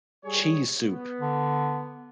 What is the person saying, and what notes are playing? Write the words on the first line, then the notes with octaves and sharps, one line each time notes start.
cheese soup."
G3 G#4 C#5
B3
D3